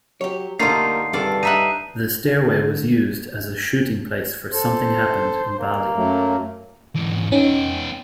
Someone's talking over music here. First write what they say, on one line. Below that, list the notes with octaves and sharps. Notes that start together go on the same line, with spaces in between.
The stairway was used as a shooting place for Something Happened in Bali.
F#3 G4 C#5
D3 G3 A3 A#3 D#4 F4 C7
C2 G2 D#3 G#4 A4 D5
D#4 E5 F#5 A#5 D#7
D3
A4 C5
A#3
F#2 F#3 A3
G#2 E3
B3 C#4 D#4 G5